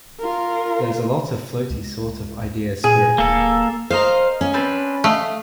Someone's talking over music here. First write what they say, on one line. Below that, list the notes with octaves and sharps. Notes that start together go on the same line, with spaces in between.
There's a lot of floaty sort of ideas-spiritual.
F4 A#4
C#2
A#2 G#4
D1 A#3 A4
A#4 C5 D#5 F5
C#4
C4 D4 B4
A3 D#5 F5